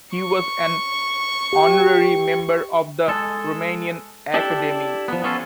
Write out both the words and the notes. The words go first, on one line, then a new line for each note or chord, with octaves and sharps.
He was an honorary member of the Romanian Academy.
C#6
G4 G5
G#3 A4
D4 E4 G4 A4
F3 B3
B3 C#4 F4 A4